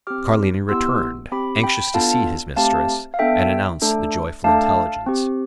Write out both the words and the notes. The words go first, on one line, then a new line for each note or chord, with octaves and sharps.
Carlini returned, anxious to see his mistress, and announce the joyful intelligence.
C4 G4 D6 F6
B3 E4 G4 C6 E6
C4 G4 B5 D6
G5 B5
B3 D4 F4 A4 F5 A5
A3 C4 G4 F5 A5
F5
B3 D4 A4 E5 G5
A3 D4 A4
A3 D4 A4 F5 A5
C4 G4